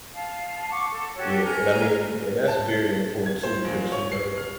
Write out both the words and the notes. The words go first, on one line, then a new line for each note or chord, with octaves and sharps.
yeah, and I mean and that's very important too 'cause, you know,
F5 A5
F#5 C#6 D6
A4
F#4 G4 A4 C#5
G#5 A#5 F6
A5
G#6
C5
A#1
C#5
C7
F6